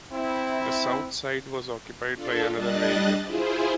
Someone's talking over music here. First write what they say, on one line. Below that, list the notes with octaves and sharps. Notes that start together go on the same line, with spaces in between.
The south side was occupied by another railway.
C4 E4
D4 F4 A4
G3 D4 D#5 F#6 A6
E4 F4 G#4 C5